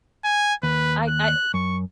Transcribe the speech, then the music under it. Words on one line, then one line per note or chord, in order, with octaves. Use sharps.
I I
G#5
D#2 B4
F#6
F#2 C#6